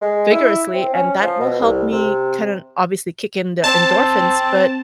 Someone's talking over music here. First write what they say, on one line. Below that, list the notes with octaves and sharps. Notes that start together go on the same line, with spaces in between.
vigorously, and that will help me, kind of, obviously kick in the endorphins, but
G#3
E4
C4
C#4
F3
B2
C2
C3
C4 A5